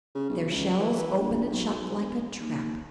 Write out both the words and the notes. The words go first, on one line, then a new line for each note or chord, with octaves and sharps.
Their shells open and shut like a trap.
C#3
B1
C#2
E3
A#1
B1
B1
E1
D#2